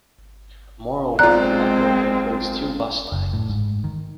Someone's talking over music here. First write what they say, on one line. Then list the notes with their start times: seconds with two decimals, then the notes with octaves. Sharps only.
Moreover, the network includes two bus lines.
1.19 B1 G#3 C4 F4 D5 A#5 F#6
3.12 F#1
3.33 A2
3.50 G#2
3.84 D#3